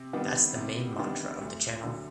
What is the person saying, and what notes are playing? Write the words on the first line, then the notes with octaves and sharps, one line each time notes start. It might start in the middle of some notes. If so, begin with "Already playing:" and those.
That’s the main mantra of the channel.
Already playing: C3
D#3 G3 B3 D4
C3
D#3 G3 B3 D4
D2
D3 F#3